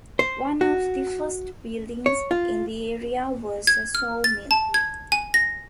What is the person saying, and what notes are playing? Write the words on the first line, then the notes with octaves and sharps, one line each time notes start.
One of the first buildings in the area was a sawmill.
C5
F#4
C#5
F4
G#6
F6
A6
A5
G#6
G#5
A#6